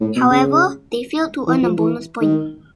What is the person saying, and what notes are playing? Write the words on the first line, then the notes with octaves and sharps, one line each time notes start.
However, they failed to earn a bonus point.
A2
B2
C#3
E3
F3
E3
D#3